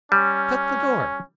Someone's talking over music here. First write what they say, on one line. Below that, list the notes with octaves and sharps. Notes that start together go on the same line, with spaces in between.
Shut the door!
G3 C#4